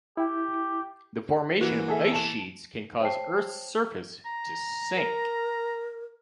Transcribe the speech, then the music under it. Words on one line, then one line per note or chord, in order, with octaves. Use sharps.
The formation of ice sheets can cause Earth's surface to sink.
E4 G4 G5
E3 A#3 F#4
G#4 A4 E5
A5 E7
C5 C#5 G5 A5 C7
A#5
A#4